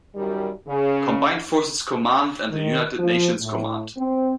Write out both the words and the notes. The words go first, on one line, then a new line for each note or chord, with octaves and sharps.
Combined Forces Command, and the United Nations Command.
F#2 D#3 G3
C#3
D#3
F3
A2
C4